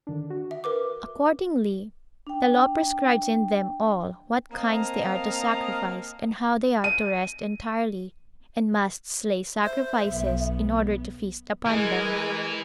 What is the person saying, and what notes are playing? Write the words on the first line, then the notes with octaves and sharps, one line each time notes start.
Accordingly, the law prescribes in them all what kinds they are to sacrifice, and how they are to rest entirely, and must slay sacrifices, in order to feast upon them.
D3 D#3 D4
F#4
E5
A#4 B4 D6
D4 G5
A#3 C4 D#5 F5 A5 A#5
D#7
C5 E5
B1 B3
E3 G#3 A#4 G#5